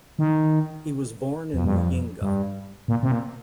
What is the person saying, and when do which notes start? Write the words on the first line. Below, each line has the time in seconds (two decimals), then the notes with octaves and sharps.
He was born in Muyinga.
0.19 D#3
1.54 F2
1.64 G2
1.76 F2
2.22 G2
2.88 A#2
3.03 C3
3.11 A#2